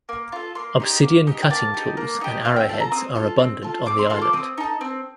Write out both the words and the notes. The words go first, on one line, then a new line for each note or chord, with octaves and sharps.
Obsidian cutting tools and arrowheads are abundant on the island.
A#3
F4 A4
A#3 C6
D#4 G4
A#3
D#4 G4
G5
A#3 A5
D#4 G4
A#3
D#4 G4
C4 F5
G5
F4 A4 A5
A#5
C4 D#6
F4 A4
C4
F4 A4
C4 D6
C6
F4 A4 C6
D6
C4 D#6
D#4 A4
C4